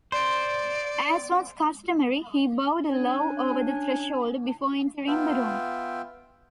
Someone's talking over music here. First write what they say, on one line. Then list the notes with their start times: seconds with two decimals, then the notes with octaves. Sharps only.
As was customary, he bowed low over the threshold before entering the room.
0.12 C5 D5
2.90 C#4 D4 G#5
5.07 B3 F4 E5 G5